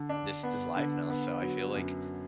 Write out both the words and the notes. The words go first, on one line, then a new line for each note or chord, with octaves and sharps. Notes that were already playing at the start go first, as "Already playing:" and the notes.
"This is life now." So I feel like
Already playing: D3
D4
B3
D3
B3
F#3
F#2